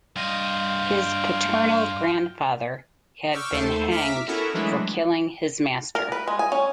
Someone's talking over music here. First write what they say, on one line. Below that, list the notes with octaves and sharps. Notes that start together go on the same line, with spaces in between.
His paternal grandfather had been hanged for killing his master.
G2 D#5 F5 G5 C6
C#6 D6 E6 F6 G6
D#2 A3 A4 C5
E5 A#5 D6 F6 B6
B3 C#4 E4 F#4 A4 A#4
E3 F#3 G#3 A3 D4 E4
A#4
B4
G#3
G#5
C#4